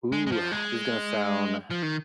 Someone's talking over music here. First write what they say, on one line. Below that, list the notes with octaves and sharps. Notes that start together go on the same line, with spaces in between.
Ooh, ah, this is gonna sound
G#3
G#3
F3
G#3
F3
D#3